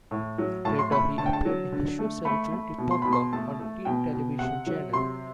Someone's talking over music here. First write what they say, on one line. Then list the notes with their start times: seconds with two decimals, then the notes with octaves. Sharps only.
Later, he appeared in the show Celebrity Poker on Tien television channel.
0.11 A2
0.38 F#3
0.65 A2 A5
0.79 C6
0.91 A3 B5
1.18 D3 A5
1.26 G5
1.33 A5
1.45 F#3
1.72 D3
1.99 A3
2.25 A3 B5
2.52 A3
2.78 B2
2.91 C6
3.02 B2 B5
3.12 C6
3.33 A3 A5
3.59 A3
3.85 B2 G5
4.13 B2
4.39 C3 F#5
4.67 F#3
4.93 C3 C6